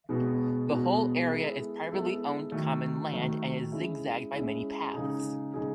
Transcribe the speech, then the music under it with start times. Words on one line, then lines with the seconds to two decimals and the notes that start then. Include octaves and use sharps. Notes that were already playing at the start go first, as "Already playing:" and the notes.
The whole area is privately owned common land and is zigzagged by many paths.
0.09 B2 G#3 B3 F#4
0.69 B2 G#3 B3 F#4
1.30 G#3 B3 E4 A4
1.91 G#3 B3 E4 A4
2.51 D#3 F#3 A3
3.12 D#3 F#3 A3
3.72 G#3 C#4 E4
4.33 G#3 C#4 E4
4.93 C#3 G#3 D#4 G#4
5.54 C#3 G#3 D#4 G#4